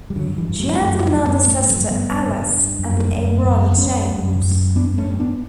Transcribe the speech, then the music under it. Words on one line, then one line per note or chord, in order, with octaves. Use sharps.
She has another sister Alice and a brother, James.
G3
G2 D3 F#3
E3 G3
G2
F#3 A3
F#2 F#3 A3
F#3 A3
F#2
G3 B3
G2 A3 C#4
F#3 A3
G2
G3 B3
G2
G2
F#2
F#2
F#2
B3
F#2 A3 C#4
F#2
F#2
G2 B3 D4
A3 C#4
G2
B3 D4